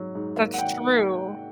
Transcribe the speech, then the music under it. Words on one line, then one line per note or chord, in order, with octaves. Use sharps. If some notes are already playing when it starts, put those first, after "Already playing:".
That's true,
Already playing: G#2 F#3
G#2
A#3
F#5
D#3 G5
D#3